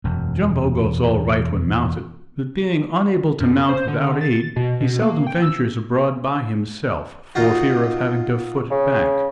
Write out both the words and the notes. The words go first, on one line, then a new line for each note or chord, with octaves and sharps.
"Jumbo" goes all right when mounted, but, being unable to mount without aid, he seldom ventures abroad by himself for fear of having to foot it back.
E1 F#2
F#2
C5
D3
A6
B2
B2
A#3
G5
E6
D#4 F4 F#4
C#3